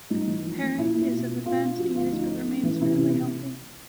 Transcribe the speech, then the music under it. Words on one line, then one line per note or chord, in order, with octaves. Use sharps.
Peric is of advanced years but remains fairly healthy.
G2 D#4
E3
F3
A#3
A#2 E4
A#3
B2
B3
B2 F4
D4
F3 F#4
D2 F4
F3 D#4
A3
C#4
E3
C3 E4
C3
C3